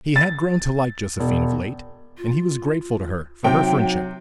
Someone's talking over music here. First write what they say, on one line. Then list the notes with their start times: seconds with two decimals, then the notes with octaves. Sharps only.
He had grown to like Josephine of late, and he was grateful to her for her friendship.
0.16 A6
1.19 E1
2.18 F4
3.44 C3 F#3 D#4 G5